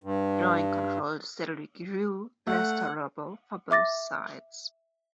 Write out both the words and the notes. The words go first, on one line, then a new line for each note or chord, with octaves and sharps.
Joint control steadily grew less tolerable for both sides.
G2
A3 F#5
E5 D6 A6 A#6